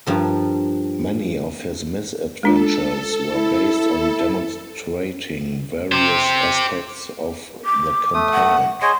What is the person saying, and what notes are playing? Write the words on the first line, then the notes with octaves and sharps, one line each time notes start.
Many of his misadventures were based on demonstrating various aspects of the compound.
G2 F3 A#4
G#3 D4 F4 A4
E4
G4 C5
D6
A3 D#6
F#5
G#4 C#5 D#5 C6